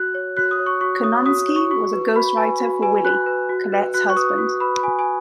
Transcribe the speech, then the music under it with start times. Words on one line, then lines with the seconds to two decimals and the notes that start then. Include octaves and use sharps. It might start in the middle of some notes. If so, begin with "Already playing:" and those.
Curnonsky was a ghostwriter for 'Willy', Colette's husband.
Already playing: F#4 F#6
0.14 C#5
0.37 F#4 F#6
0.51 D#6
0.59 C#5
0.66 C#6
0.81 F#4 C#6
1.03 C#5 D#6
1.26 F#4 D#6
1.48 C#5
1.56 C#6
1.71 F#4 C#6
1.93 B4
2.16 F#4 B5
2.37 B4 G#5
2.60 F#4
2.82 B4 G#5
3.05 F#4 F#6
3.26 B4
3.49 F#4
3.72 B4
3.94 F#4 F#6
4.10 C#6
4.16 B4 D#6
4.38 F#4
4.60 B4 B5
4.83 F#4 G#5
4.99 G#5